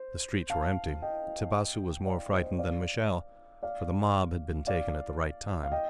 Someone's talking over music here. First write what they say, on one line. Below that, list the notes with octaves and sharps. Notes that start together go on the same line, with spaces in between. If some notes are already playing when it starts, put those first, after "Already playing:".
The streets were empty. Tibasu was more frightened than Michele, for the mob had been taken at the right time.
Already playing: C5
F5 A5
D#5 G5
D5 F5
C5 D#5
D5 F5
D5 F5
D5 F5
F5
D#5 G5